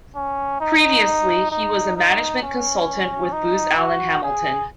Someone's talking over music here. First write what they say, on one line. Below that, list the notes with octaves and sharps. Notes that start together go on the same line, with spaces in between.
Previously, he was a management consultant with Booz Allen Hamilton.
C#4
D#4
D#4
D#4
C#4
D#4
F#4
G#4